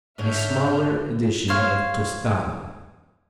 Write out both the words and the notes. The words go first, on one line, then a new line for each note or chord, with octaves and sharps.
A smaller edition of Toscano.
G#2 D3 C#5 E5 F6 G6
C5 C#5 F5